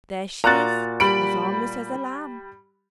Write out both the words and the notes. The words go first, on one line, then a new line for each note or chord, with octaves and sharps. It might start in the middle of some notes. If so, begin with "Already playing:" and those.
There she is as harmless as a lamb.
A#2 F#4 A#5 F#6 A6
G3 B5 D7